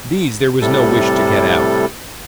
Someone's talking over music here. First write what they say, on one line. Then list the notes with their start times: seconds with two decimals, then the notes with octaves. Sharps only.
These there was no wish to get out.
0.61 A2 C3 G3 A4